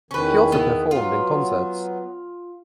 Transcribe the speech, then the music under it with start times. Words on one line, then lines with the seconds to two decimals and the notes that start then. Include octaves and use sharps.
She also performed in concerts.
0.11 E2 D#3 C#4 B4
0.52 B3 E4
0.91 F#3 B3 F4